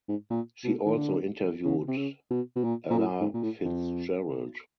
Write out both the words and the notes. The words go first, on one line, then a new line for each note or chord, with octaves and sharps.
She also interviewed Ella Fitzgerald.
G#2
A#2
B2
D#3
D3
C#3
C3
C#3
B2
B2
A#2
A#2
A2
G#2
A#2
A2
F2